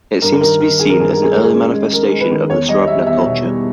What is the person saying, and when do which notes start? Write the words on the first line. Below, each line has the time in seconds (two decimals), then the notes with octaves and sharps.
It seems to be seen as an early manifestation of the Srubna culture.
0.22 G2 A#4
0.41 D#3 A#4
0.60 D#3 A#4
0.79 D#3 G#4
0.89 A#4
0.99 G2 G#4
1.11 A#4
1.16 D#3
1.23 G#4
1.33 G#3 A#4
1.43 G#4
1.55 C#4
1.73 G#3
1.92 G#3 A#4
2.11 G#3
2.21 B4
2.31 D#3
2.50 E2 C#5
2.68 G3 D#5
2.87 G3 E5
3.07 E2 E5
3.25 B2 E5
3.44 G3